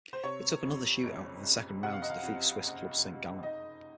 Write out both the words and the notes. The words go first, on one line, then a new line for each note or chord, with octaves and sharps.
It took another shoot-out in the second round to defeat Swiss club Saint Gallen.
C5
C3 C#5
F2
F#1
F#1
C3 F#5
F5
D#5
F5
F2
F#1
F#1
D#4 D#5